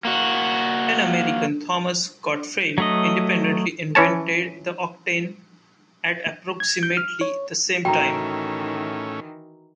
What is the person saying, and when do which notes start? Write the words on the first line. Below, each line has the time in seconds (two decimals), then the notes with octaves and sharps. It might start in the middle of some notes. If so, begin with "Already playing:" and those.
An American, Thomas Godfrey, independently invented the octant at approximately the same time.
0.05 A#3 F#4
2.78 F#3 A3 D#5
3.95 E3 C#4 C#5 A5
6.60 G#6
6.83 G6
6.97 F6
7.21 C#5
7.85 A2 D#3 E3 C#4 F#4 G5 A#5